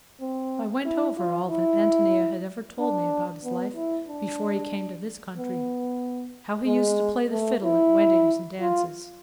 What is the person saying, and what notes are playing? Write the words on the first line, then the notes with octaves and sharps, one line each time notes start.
I went over all that Antonia had ever told me about his life before he came to this country; how he used to play the fiddle at weddings and dances.
C4
E4
F4
E4
D4
B3
E4
D4
B3
G#3
A3
E4
F4